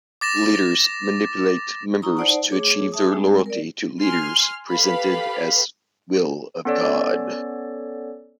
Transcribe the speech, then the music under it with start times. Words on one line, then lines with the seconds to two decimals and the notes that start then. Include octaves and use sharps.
Leaders manipulate members to achieve their loyalty to leaders, presented as will of God.
0.21 D6 A6 A#6 E7
2.02 D#4 E4 A#5 C#6 D#6
2.17 D#4 C5 D5 F#5 A5
2.48 A3 G#4 C#5 D6
2.92 G#4 E5 A5 D#6
3.11 G3 G#3 C4
3.46 A#4 D5
4.00 G#5 C6 F6
4.70 G4 A4 B4 F5 B5
6.65 B3 C#4 A4 C#5 D5